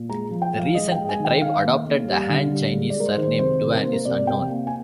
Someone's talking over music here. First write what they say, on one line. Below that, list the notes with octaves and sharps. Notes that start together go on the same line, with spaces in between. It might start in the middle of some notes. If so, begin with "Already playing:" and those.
The reason the tribe adopted the Han Chinese surname Duan is unknown.
Already playing: A#2
G#3 A#5
F3
G5
F3
F5
G#3 D#5
G#3 G5
G#5
D#3
G5
D#3 F5
A#3
A#3
G3
D3
G3
G#3
D5
G#3 A#4
C5
D#3
C5
C3 C5
C3
A#4
A#3 C5
A#4
C3 D5
C3 G5
A#3
G#5